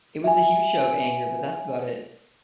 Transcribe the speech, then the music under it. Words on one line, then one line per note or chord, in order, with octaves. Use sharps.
It was a huge show of anger but that's about it.
E5 G#5